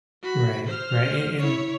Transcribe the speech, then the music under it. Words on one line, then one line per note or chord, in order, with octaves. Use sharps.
Right, right, and and
F#4 B5
C5 F6
E4 C#5